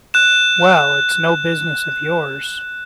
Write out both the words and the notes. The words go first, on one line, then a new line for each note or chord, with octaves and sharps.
Well, it's no business of yours.
F#6 E7